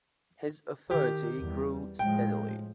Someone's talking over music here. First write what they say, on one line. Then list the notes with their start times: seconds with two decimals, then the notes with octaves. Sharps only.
His authority grew steadily.
0.91 D#3 G4
1.39 E2 G3
1.99 A2 F3 G#3 G5